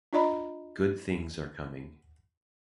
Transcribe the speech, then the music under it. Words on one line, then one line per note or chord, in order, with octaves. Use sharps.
Good things are coming.
D4 F4 D5 D#5 A#5 B5